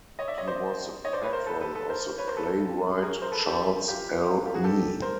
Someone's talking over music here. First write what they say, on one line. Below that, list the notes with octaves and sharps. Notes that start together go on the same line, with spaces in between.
He was the patron of the playwright Charles L. Mee.
C#5 D#5
D5 E5
C#5 D#5
C5 D5
C#5 D#5
C5 D5
B4 C#5
A#4 C5
A4 B4
A4 B4
A4 B4
A#4 C5
B4 C#5
A#4 C5
A4 B4
G#4 A#4
A#4 C5
A4 B4
G4 A4
F4 G4
F4 G4
F#4 G#4
G4 A4
A#4 C5